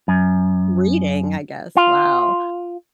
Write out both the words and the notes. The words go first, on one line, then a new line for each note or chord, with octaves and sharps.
reading, I guess, wow
F#2
F4